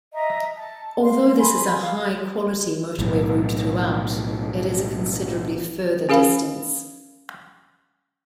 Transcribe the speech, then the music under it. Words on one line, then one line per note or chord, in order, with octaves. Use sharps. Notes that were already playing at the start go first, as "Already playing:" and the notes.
Although this is a high-quality motorway route throughout, it is a considerably further distance.
D#5 E5 A#5
A5
F5 C6
G#5 B5 C6
F5
B1 A2
C#4 G#4 A#4 F5 B5